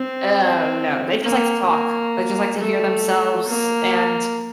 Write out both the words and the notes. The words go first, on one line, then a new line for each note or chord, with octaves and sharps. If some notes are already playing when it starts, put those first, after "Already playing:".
Oh, no, they just like to talk. They just like to hear themselves. And
Already playing: C4
A#3
A#3
A3
A#3